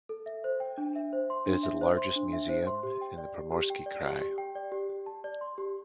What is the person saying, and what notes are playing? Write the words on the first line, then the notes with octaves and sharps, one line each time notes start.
It is the largest museum in the Primorsky Krai.
A4
E5
C5
G5
D4
E5
C5
C6
D4
E5
C5
C6
D4
E5
C5
C6
G4
G5
D5
G4
G4
G5
D5
G4
G4
G5
D5
G4
G4
A5
D5
C6
G4